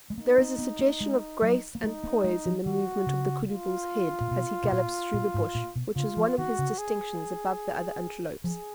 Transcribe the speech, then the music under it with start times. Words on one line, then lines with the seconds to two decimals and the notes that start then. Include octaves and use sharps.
There is a suggestion of grace and poise in the movement of the koodoo bull's head as he gallops through the bush which is one of his distinctions above the other antelopes.
0.10 G#3
0.18 A#3 D#4
0.38 B3
0.58 B3
0.79 A#3
1.01 G#3
1.42 F#3
1.75 A#3
1.83 G#3 D#4
2.04 A#3
2.24 G#3
2.46 F3
2.66 D#3 F#4
3.07 C#3
3.48 F4
4.21 A#2
4.31 B2
4.64 B2
4.72 A#2
5.14 A#2
5.34 G#2
5.55 A#2
5.76 B2
5.96 C#3 F4
6.17 F3
6.38 D#3 F#4
6.59 C#3
6.78 G#4
8.44 F3 G#4